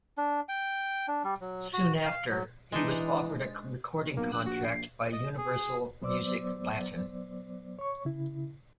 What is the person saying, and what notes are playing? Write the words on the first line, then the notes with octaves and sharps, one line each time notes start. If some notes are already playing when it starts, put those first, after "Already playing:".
Soon after, he was offered a recording contract by Universal Music Latin.
D4
G5
D4
G3
F#3
F#4
F5
F#3
E3 G#3 D4 D#4
B1 A#3
A#1 F#6
F#4
C7
D#5
G#4
F#3 B3 C5 D5 D6 E6
C#5 C#6
C#3 E4